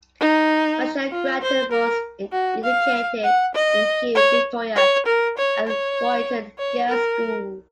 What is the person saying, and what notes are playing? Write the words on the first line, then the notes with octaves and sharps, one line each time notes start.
Michelle Grattan was educated in Kew, Victoria at Ruyton Girls' School.
D#4
F4
C5
A#4
F#4
F5
F#5
D#5
C#5
C#5
A#4
C#5
C#5
C#5
A#4